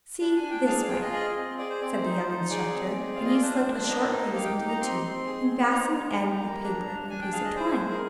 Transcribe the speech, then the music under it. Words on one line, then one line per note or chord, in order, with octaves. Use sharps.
"See, this way," said the young instructor, and he slipped a short fuse into the tube and fastened the end with paper and a piece of twine.
D4
G#5
D4
G5
G#4 F5
F5
F4 G5
D#5
G#4 D#5
C4
G#4 D5
C5
C4 D5
C5
D#4
D#4
G#4 D5
C4
G#4
F5
F4
D#5
D5
D4 C5
D4
D5
A#3 D#5
D#4
G4 F5
G5
D#4
A#5
C4 C6
C4
G#4
C4
D#4 A#5
D#4
G4
A#3
D4
D4
D4 G#5
G5
G#4 F5
D#5
G#4 C5
G#4
A#4